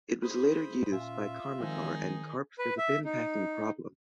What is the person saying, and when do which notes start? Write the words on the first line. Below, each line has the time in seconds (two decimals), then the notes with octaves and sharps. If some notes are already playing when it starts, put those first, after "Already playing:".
It was later used by Karmarkar and Karp for the bin packing problem.
0.23 E4 G#4 C5 B5 D#6
0.92 A#2 C#4 F4 E5
1.60 D#3 F3 G#3 C4 D#4 G#4
2.59 B4
2.78 E5
3.05 D#4